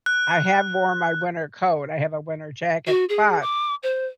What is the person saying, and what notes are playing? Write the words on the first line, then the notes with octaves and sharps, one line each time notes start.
I have worn my winter coat. I have a winter jacket, but
F#6
F#4
G#4
D6
C5